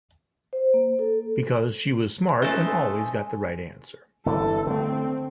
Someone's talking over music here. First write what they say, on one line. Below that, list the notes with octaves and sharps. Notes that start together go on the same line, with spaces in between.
Because she was smart and always got the right answer.
C5
A#3
A4
A3 C#4 D#4 A4 B4 C5 G#5
G1 D3 E3 A4
D3 A3 C4